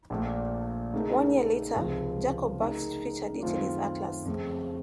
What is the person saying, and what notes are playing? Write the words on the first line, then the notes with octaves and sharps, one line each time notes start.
One year later, Jakob Bartsch featured it in his atlas.
A#1 A#2 A3
C#3 A3 D#4 A#4
C#2 C3 F3
C#3 A3 D#4 A#4
F#2 D#3 A3 C4 F4
F2 C#3 A3 C4